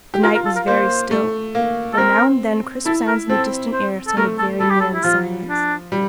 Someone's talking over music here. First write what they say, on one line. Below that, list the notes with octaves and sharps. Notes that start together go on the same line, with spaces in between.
The night was very still, though now and then crisp sounds in the distant air sounded very near in the silence.
G4
F4 A#4
A#4
A4
A#4
A#3 C5
A3
A#3
A4
C4 A#4
E4 A4
A#4
C4 A4
C5
A4
A3 A#4
A4
G3 A4
G4
A4
E4
F3 F4
D4
G3